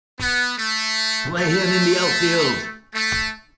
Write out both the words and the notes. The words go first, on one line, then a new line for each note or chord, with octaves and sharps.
Play him in the outfield.
B3
A3
A3
A3